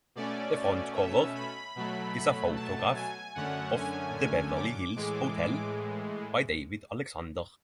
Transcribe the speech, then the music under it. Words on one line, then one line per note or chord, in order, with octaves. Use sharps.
The front cover is a photograph of the Beverly Hills Hotel by David Alexander.
B2 A3 C#4 D5
E5
B5
B2 F#3 A3
A5
G#5
F#2 D3 A3 C#4 F#5
G#5
G#5
D6
A2 E3 G#3